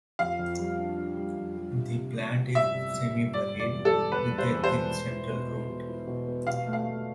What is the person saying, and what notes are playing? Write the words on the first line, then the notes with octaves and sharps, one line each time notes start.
The plant is semi buried with a thick central root.
F2 F5
F2
G3
D4
D4
G3
F2
G3
C3
C3
C3
C3
G1 E5
C3
G1
G1
G3 D5
E1
D5
E2
A4
G3
E2 B4
G3
C5
E2
C5
E1
B3
E4
B2
E4
B2
E4
B2
B3
B2 F5
A3
F5
A3